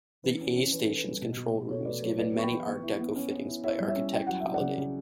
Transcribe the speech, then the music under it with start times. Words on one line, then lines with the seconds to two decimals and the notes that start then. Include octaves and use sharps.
The A Station's control room was given many Art Deco fittings by architect Halliday.
0.24 E3 B4
0.41 C#4
0.56 C#4
0.72 E3 B4
0.84 A4
0.89 E3
0.98 B4
1.05 G3
1.22 B2
1.37 B2
1.54 B2
1.70 B2 A4 C#5
1.85 A3 B4 D5
2.02 F#3 A4 C#5
2.19 E4 B4 D5
2.34 B3 C#6
2.43 G5 B5
2.51 E3
2.67 B3
2.83 E4
2.99 B3
3.16 C#4
3.31 C#4
3.48 E4
3.63 E4 C#5 E5
3.80 G3
3.88 C#5 E5
3.96 C#4
4.12 E4 G5
4.27 F#3 F#5
4.40 E4 E5
4.54 D5 F#5
4.61 C#3
4.78 C#3